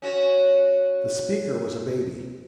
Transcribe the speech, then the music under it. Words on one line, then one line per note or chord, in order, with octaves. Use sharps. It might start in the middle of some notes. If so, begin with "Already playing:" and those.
The speaker was a baby!
C#4 F#4 C#5